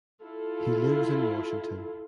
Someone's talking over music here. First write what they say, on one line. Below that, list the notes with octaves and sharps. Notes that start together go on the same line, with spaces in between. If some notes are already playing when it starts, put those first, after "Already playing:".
He lives in Washington.
E4 F4 A4